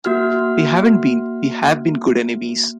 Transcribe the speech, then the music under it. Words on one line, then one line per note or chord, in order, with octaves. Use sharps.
We haven’t been — we’ve been good enemies.
A#3 F#4 F6